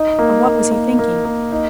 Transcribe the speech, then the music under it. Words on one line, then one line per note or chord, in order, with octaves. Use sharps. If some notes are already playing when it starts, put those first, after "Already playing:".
Of what was he thinking?
Already playing: D#4
A#3
A#3
A#3
A#3
A#3
D#4